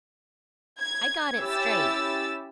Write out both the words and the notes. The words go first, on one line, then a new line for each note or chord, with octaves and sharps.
"I got it straight."
G#6
C#4 E4 G4 E6 A6